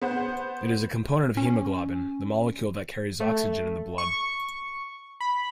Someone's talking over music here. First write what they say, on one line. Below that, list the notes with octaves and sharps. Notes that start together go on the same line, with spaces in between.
It is a component of hemoglobin, the molecule that carries oxygen in the blood.
B3 C5 F#5
C#4
A3
C#6
B5